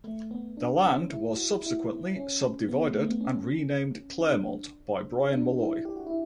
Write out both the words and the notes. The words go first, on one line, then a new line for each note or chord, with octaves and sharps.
The land was subsequently subdivided, and renamed Claremont by Bryan Molloy.
A3
B3
D4
C#4
E4
F#4
E4
C#4
B3
B3
A3
B3
C#4
D4
D4
E4
G4
F#4
E4